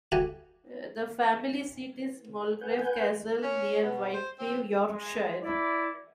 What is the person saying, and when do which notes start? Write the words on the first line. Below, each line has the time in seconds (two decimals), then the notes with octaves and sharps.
The family seat is Mulgrave Castle near Whitby, Yorkshire.
0.12 F#4 G4 A4 E5 F#5 G#5
2.61 B4 F#5 G#5 G6
3.43 C#4
3.82 B2
4.13 C5
4.39 C4
4.89 G#3
5.42 E4 D5